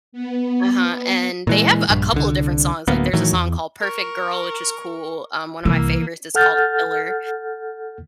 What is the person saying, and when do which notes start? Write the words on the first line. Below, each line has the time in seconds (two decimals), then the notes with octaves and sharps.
uh-huh, and they have a couple of different songs, like, there's a song called Perfect Girl, which is cool, um, one of my favorites is called Killer.
0.12 B3
1.47 A#2 E3 G#3
1.89 A#1 G2
2.13 C2 D3
2.88 D1 D2 A#3 B3
3.13 A2 D#3 E3 F#3
3.33 E2
3.81 A#4 C#6
5.65 C2 E3 A#3 E6
6.35 A4 F#5 F6 G6 A6